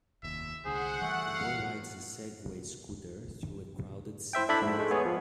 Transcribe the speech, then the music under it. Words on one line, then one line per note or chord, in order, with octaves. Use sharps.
A boy rides a Segway scooter through a crowded city plaza.
F1 D#2 E5
C2 D3 G#4 C5 F#5
E3 G3 A3
F5
E4 C5 E5 G5
D4 E4 A4 D5 E5 B5
G#2 A3
G#3 A3
B3 G#4 C#5
F3